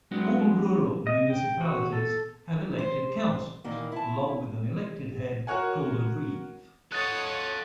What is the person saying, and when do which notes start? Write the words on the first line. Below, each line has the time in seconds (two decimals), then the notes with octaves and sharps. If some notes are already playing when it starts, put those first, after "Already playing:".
All rural municipalities have elected councils, along with an elected head called a reeve.
0.11 F#3 G#3 B3 C4 D4 F#4
1.07 D#5
1.30 G5
1.61 F#4
1.93 A4
2.79 C5
3.64 A#2 D#3 E3 A#3
3.92 E4 A5
5.47 F#4 A#4 C#5 F#5 G#5
6.92 A4 C#5 D#5 F#5 D#6 F#6 A6